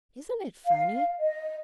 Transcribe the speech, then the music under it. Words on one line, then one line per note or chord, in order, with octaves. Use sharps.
Isn't it funny?'
F5
D#5